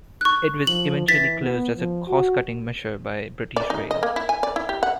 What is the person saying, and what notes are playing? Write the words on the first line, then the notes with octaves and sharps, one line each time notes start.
It was eventually closed as a cost-cutting measure by British Rail.
C#6 F#6
F3 F#7
E3 A6 B6
B3
F3
F#4
D5
D#4
D#5
A#3
E4
G#5
D5
E4
G4
F#5